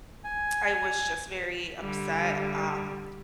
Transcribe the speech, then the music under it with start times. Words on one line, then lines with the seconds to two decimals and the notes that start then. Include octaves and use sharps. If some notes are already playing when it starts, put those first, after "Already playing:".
I was just very upset, um,
0.24 G#5
1.80 D3 G3